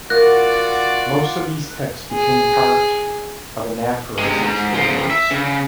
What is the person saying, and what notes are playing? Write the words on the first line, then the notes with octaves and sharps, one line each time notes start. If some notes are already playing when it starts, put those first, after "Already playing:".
Most of these texts became parts of anaphoras still in use.
F4 F#4 A#4 D5 F#5 D6 F#6
G#4
C3 G#3
G#2
C#3 F3
E5
C#3